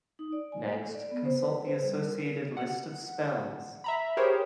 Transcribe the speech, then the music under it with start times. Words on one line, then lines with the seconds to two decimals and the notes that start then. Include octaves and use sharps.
Next, consult the associated list of spells.
0.19 D#4
0.32 D5
0.52 G#5
0.72 A4
0.95 D5
1.11 B3
1.24 C5
1.36 B4
1.65 C5
1.84 G3
2.04 A#4
2.57 F#5
3.84 E5 A#5 B5
4.17 G4 G#4 A#4 C5 C#5 G5